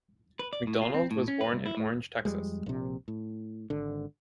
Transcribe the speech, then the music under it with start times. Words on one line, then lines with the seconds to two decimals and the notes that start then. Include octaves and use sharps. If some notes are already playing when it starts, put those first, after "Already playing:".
McDonald was born in Orange, Texas.
0.39 B4
0.53 D5
0.67 A2
0.82 F4
0.94 C4
1.11 A2
1.28 C#4
1.41 B4
1.53 C2
1.66 E4
1.77 A2
2.25 F2 G3 G#3
2.66 A#1 C3
3.08 A2
3.70 G#1 D3